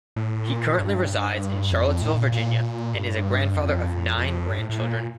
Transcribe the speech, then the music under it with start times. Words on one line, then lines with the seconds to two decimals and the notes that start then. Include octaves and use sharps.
He currently resides in Charlottesville, Virginia and is a grandfather of nine grandchildren.
0.16 A2
0.47 A#2
0.78 G2
1.71 F2
2.02 A2
2.17 A#2
2.32 A#2
2.95 G2
3.56 F2
4.18 F2
4.49 G2
4.59 A2
4.69 A2
4.80 A#2